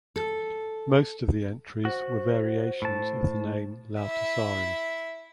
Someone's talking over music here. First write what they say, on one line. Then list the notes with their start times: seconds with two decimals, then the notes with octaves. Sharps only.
Most of the entries were variations of the name Lauttasaari.
0.16 A4
1.85 F#4 C5
2.82 A2 A5
4.01 E4 E5